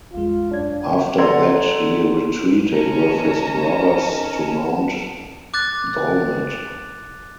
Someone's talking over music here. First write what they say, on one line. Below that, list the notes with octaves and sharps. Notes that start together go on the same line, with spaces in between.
After that he retreated with his brothers to Mount Dolmed.
G#1 E2 G#3 F4
F#2 D4 C#5 G#6
A4 D5 F#5 A#5 C6 G#6
D#3 C#4 A5 A#5
D6 F#6 A6